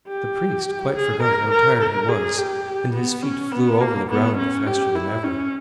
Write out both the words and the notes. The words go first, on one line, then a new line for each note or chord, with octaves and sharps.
The priest quite forgot how tired he was and his feet flew over the ground faster than ever.
G4
G#4
A#4
A#4
A#4
G#4
G4
B3
C#4
B3
A#3
B3
C#4
G4
E4
C#4